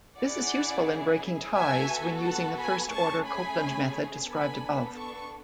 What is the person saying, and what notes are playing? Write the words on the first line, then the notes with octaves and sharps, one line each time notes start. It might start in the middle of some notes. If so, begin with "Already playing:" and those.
This is useful in breaking ties when using the first-order Copeland method described above.
C#4 E4 G#4 D5 F#5
B3 F#4 A4 E5 G#5
F#5 A5
G#5 B5
A3 C#4 G#4 A5 C#6
G#5 B5
B3 D4 A4 G#5 B5
A5 C#6